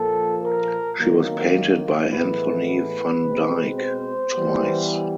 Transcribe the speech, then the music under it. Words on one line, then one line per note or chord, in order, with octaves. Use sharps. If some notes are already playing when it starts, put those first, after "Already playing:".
She was painted by Anthony van Dyck twice.
Already playing: A#2 F3 A#3 A4
A#4
D#3 F#3 A#3
A2 E3 G#3 B3 B4
B4
B2 G#3 C4
C5
E3 G3 B3